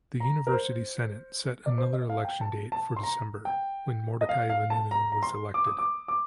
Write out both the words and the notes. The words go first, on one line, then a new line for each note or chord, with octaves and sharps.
The University Senate set another election date for December, when Mordechai Vanunu was elected.
A#5
A#4
C5
D5
C5
D#5
F5
G5
A5
A5
C6
A#5
G5
D#5
F5
F5
A5
A#5
A#5
C6
D6
D#6
D6
D6